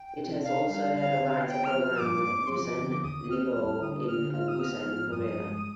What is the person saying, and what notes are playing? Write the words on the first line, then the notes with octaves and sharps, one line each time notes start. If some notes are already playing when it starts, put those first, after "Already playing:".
It has also had a writer program with Busan Ilbo in Busan, Korea.
Already playing: G5
C3
D4 F5
G3 F5
D3 F5
D3
B3 G5
F6
F3
F6
G2 D6
G2
C6
F3 D6
D3
D#2 D#6
C4 F6
G3 F6
D3 D#6
D#6
D3 F6
F4 F6
D#6
B3 F6
F3
G2 D#6
G#3